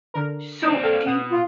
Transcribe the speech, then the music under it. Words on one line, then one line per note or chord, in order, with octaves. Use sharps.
So, do you
D3 A#4
C4 D4
A4 F5 G5
B2 F#5 D#6
F4